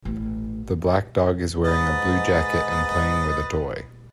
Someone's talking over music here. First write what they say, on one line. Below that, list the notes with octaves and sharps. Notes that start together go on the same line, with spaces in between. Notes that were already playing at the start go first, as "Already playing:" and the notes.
The black dog is wearing a blue jacket and playing with a toy.
A1
G#2 B4 D#5 A6